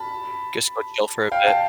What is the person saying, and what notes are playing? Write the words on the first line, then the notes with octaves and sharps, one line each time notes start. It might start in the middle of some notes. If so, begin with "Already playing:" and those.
Just go chill for a bit.
Already playing: A5 B5
F5 G5
G5 A5